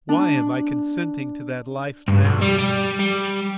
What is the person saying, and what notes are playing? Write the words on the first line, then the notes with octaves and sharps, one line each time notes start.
Why am I consenting to that life now?
D4
G2
B1
G3
G3
G3